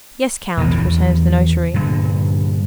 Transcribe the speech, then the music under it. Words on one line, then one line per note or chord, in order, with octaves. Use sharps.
"Yes, count," returned the notary.
A#1 E2 B2 E3
E2 C#3
G2 A#2 D3